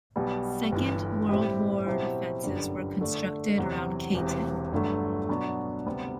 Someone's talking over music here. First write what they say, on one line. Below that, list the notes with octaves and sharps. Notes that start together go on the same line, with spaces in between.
Second World War defences were constructed around Cayton.
B1 B2 G3 B3
G1 G2 E3
A2 G3 C4 E4 G4
B2 F#3 C4 E4 G4
G1 F#2 D3 G3
D3 A3 D4
E2 C3 F#3
E1 E2 C3
G1 G2 D3 F#3 A3
B2 F#3 B3 D4 F#4
D2 C3 G3 B3